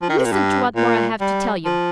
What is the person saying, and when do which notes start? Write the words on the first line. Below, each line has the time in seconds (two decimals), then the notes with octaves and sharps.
Listen to what more I have to tell you.
0.02 F3
0.09 D#3
0.18 C3
0.25 A#2
0.32 G2
0.76 A#2
1.20 G3
1.65 F3